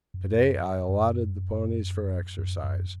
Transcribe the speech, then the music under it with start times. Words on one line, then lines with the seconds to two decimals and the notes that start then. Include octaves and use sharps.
To-day I allotted the ponies for exercise.
0.14 F#2
0.89 F#2
2.39 F#2
2.64 F#2